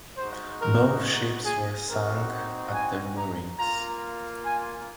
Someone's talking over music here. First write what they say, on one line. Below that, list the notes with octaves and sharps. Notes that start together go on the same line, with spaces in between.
Both ships were sunk at their moorings.
G#3 D#4 F#4 C5
A#4
G#4
C4 D#4 F#4 A#4
G#5
A#5
A#3 F4 A#5
G#5